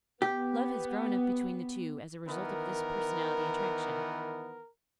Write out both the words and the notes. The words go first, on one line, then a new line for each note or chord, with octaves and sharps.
Love has grown up between the two as a result of this personality attraction.
B3 G4
D#3 E3 B3 A#4